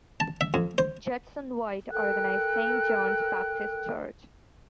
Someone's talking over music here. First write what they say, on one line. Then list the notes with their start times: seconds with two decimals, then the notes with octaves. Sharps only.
Jedson White organized Saint John's Baptist Church.
0.20 A5
0.41 E5
0.54 F2
0.78 C5
1.92 A4 A#4 G5 F#6